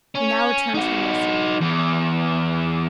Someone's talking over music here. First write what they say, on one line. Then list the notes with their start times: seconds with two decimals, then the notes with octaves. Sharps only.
We now return to the nursery.
0.15 C#4
0.74 D#4 F#4
1.61 E2